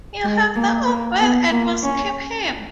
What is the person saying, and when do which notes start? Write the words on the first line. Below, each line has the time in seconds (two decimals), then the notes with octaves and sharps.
You have the Old Man and must keep him.
0.24 G#3
0.55 A#3
0.87 A#3
1.19 B3
1.51 A#3
1.83 C#4